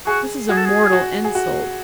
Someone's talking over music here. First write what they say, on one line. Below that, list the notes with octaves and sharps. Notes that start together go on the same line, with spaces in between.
"This is a mortal insult!"
F#4 G#4
F#4 G#4
A4
G#4
F#4
G#4
F#4